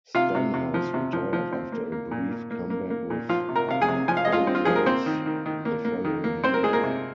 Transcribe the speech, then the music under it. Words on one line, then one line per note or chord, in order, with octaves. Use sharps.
Stanhouse retired after a brief comeback with the Orioles the following year.
C3 F4 F5
C3
C3
F3
C3
F3
F3
C4
A#3
A#3
A#2
A#3
A#3
A#3
A#3
A#2
F3 F4 F5
C3
A#4 A#5
C3 F5
G#4 G#5
C3
F3 G#5
F5
G#3 D#5
F4 F5
C4
F4
F3 G#4
A#4
A#3 C4 C5
D#3
D#3
D#3
A#3
A#3
D#3
A#3
C4 C5
A#4
G#3 G#4
A#3 A#4
C3